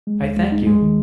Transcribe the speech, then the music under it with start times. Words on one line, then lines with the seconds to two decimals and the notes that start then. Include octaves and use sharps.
'I thank you.
0.07 G#3
0.22 D#2
0.37 G#3
0.52 D#4
0.67 G#3
0.82 D#3